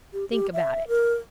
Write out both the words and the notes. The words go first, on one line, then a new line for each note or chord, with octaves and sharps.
Think about it.
G4
G4
E5
A#4